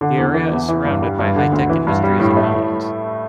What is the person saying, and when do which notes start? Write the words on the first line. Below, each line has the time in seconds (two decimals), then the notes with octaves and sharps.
The area is surrounded by high-tech industries and mountains.
0.01 D3
0.18 E2
0.34 E3
0.52 E2
0.68 E3
0.85 G2
1.02 G3
1.19 G2
1.36 D3
1.52 D2
1.69 E3
1.87 G2
2.03 G3
2.20 A2
2.37 A3
2.54 A2